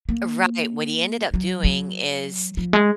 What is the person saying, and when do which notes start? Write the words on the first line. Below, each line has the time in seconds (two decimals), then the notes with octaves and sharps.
Right. What he ended up doing is,
0.09 A#3
1.34 F#3
1.65 F#3
2.57 F3
2.73 G#3